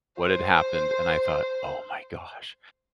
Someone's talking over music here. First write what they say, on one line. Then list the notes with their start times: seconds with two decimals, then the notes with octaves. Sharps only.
what had happened, and I thought, "Oh my gosh."
0.19 C5